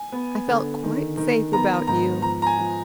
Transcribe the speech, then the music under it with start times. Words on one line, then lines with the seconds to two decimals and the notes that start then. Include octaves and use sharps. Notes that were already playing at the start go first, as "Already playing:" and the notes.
I felt quite safe about you.
Already playing: G#5
0.12 B3
0.48 D3
0.84 D#3
1.17 D#3
1.53 B3 A#5
1.87 G#2 A#5
2.22 F3 A#5
2.42 A#5
2.47 G#5
2.58 F3